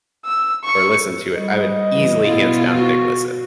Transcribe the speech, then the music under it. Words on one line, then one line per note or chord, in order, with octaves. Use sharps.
or listen to it, I would easily hands down pick listen.
E6
C#6
G3 D#5
E3
B2 E4 F4
F#4